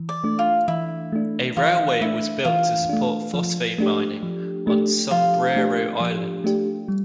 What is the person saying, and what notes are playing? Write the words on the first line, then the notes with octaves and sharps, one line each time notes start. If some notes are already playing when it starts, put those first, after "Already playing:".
A railway was built to support phosphate mining on Sombrero Island.
Already playing: E3
D5
A3 D4
F4
E3 E4
A3 D4
E3 F4
A3 D4 E4
E3 F4
A3 D4
F3
A3 D4 G4
F3
A3 D4 G4
F3 F4
A3 D4 G4
F3
A3 D4 G4
G3